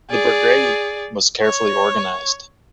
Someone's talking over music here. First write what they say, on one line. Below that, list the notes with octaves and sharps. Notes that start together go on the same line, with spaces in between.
The Brigade was carefully organized.
G#4 D5
C#5